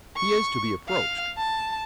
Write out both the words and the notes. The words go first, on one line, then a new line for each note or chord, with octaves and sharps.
"He is to be approached."
C#6
F5
A5